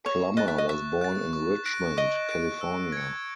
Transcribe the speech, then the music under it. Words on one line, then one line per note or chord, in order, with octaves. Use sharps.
Plummer was born in Richmond, California.
C#5 C#6
D#5 F#6 A6
E5
D#5
E5 C#6
F#6 A6
C#6
F#6 A#6 D7
D#5 C#6
F#6 A#6 D7
E6
G#6 C#7